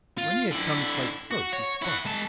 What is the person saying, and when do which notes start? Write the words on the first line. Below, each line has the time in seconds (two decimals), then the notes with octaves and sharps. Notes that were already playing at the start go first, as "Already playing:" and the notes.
When he had come quite close he spoke.
0.18 F4
0.52 D3 E4
1.31 F#4
1.53 C#5
1.82 E4 F#5
2.05 G#3 A5